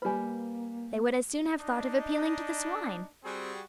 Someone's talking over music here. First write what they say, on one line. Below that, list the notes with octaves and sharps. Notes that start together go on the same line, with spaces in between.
They would as soon have thought of appealing to the swine.
G3 A#3 B4 G#5 B5
D4 D#4 D#5
G3 C4 F#4 G#4